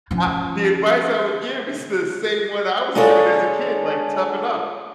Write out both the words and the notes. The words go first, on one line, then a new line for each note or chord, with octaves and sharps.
uh, the advice I would give is the same one I was given as a kid, like, "Toughen up.
F3 C#4
G#3 D4 F4 G#4 A4 C#5